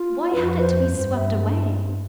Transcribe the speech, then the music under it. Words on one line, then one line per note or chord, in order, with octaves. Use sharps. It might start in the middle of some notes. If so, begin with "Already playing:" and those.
Why had it to be swept away?
Already playing: F4
F2 B4
C5
G2 C5
E5